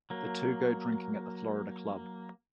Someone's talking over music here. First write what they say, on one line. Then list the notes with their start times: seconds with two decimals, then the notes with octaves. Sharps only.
The two go drinking at the Florida Club.
0.10 F#3 A#3